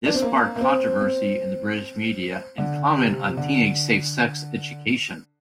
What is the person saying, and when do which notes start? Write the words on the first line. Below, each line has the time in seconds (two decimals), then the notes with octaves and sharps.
This sparked controversy in the British media and comment on teenage safe sex education.
0.06 D4
0.14 C4
0.22 A#3
0.56 A#3
0.61 C4
1.01 C4
2.58 D3
2.97 C3
3.37 D3